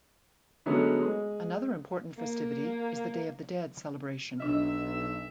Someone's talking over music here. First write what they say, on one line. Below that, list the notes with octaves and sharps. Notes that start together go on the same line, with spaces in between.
Another important festivity is the Day of the Dead celebration.
D3 F#3 G#3 A3 B3 C#4
G#3
A#3
B1 D4 D#5 E5 E6